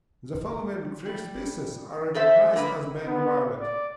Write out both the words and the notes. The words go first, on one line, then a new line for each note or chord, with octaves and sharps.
The following three species are recognized as being valid.
G3
E2 A4 C5 E5
D3 A#3 B4
B3
D5